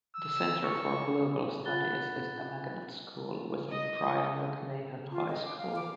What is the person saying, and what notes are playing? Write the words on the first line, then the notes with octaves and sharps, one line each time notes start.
The Center for Global Studies is a magnet school within Brien McMahon High School.
E6
C#6
F4 F#5 B5 F#6 A6 G7
D#5
F4
D#5
D6
F5
D6